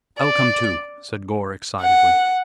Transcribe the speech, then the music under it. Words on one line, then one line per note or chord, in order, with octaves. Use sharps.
"I'll come too," said Gore, excitedly.
D5
F#5